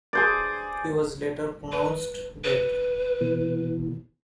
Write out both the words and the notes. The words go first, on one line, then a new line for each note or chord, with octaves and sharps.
He was later pronounced dead.
G#4 C5 D5
B4
B4
B2 E3